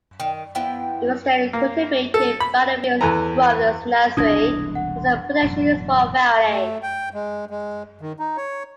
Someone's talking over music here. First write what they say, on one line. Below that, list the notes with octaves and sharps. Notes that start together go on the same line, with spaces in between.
It was then cultivated by the Williams Brothers nursery as a potential export variety.
D#3
F3 B3 E4 G5
A#3
A4
B5
E2 A4 B4 G#5 A#5
E1 C2 E3 D4 D#6 G#6 A#6
F#5
E1 F#2 A2
A3
G5
G#3
G#3
D#3
D#4
C#5